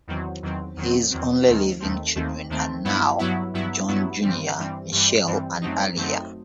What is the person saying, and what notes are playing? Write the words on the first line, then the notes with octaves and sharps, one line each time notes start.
His only living children are now Jon Junior Michelle and Aria.
E2 D#3 F#3 C4
E2 D#3 F#3 C4
E2 D#3 F#3 C4
E2 D#3 F#3 C4
D#2 D#3 A3 C4
D#2 D#3 A3 C4
D#2 D#3 A3 C4
D#2 D#3 A3 C4
G2 F#3 B3 E4
G2 F#3 B3 E4
G2 F#3 B3 E4
G2 F#3 B3 E4
G2 E3 G3 C4
G2 E3 G3 C4
G2 E3 G3 C4
G2 E3 G3 C4
F#2 F#3 A3 C4 D#4
F#2 F#3 A3 C4 D#4